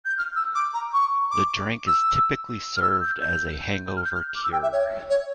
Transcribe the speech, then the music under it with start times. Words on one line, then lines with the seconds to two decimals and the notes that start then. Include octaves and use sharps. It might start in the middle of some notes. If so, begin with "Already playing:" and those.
The drink is typically served as a hangover cure.
0.05 G6
0.17 F6
0.35 E6
0.54 D6
0.73 A#5
0.93 C#6
1.30 D6
1.87 E6
2.76 F6
2.81 E6
3.00 G6
3.21 G6
3.96 F6
4.04 G6
4.14 F6
4.34 D6
4.43 E6
4.52 G5
4.62 E5
4.72 C#5
5.09 C#5